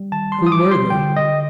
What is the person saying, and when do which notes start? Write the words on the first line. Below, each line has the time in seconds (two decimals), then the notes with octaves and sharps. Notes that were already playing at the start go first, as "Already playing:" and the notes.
Who were they?
Already playing: G3
0.12 D#3 A5
0.32 C6
0.39 G3
0.47 D#6
0.52 D6
0.65 G3
0.71 C6
0.90 D3 G5
1.16 D3 D#5